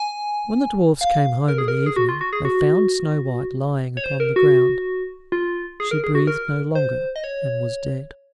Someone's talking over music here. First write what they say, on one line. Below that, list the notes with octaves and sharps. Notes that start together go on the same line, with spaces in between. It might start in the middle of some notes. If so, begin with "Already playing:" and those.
When the dwarfs came home in the evening, they found Snow-white lying upon the ground; she breathed no longer, and was dead.
Already playing: G#5
F5
A#4
G#4
A#4
G#4
F#4
F4
F#4
G#4
F#4
C#5
C5
A#4
F#4
F4
G#4
A#4
G#4
F#4
A#4
C5
D#5
C#5